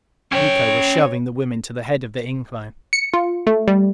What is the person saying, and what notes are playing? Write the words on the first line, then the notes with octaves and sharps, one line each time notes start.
Miko was shoving the women to the head of the incline.
C#4 C#5 G5
C#7
F4
A3
G3